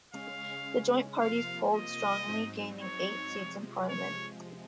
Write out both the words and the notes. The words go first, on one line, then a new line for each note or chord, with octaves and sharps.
The joint parties polled strongly, gaining eight seats in Parliament.
C#3 G#3 C#4 F5
C3 F3 A#3 F4 F5
D#5
G#2 F#3 C4 D#4
C#5
C3 F3 G#3
C#5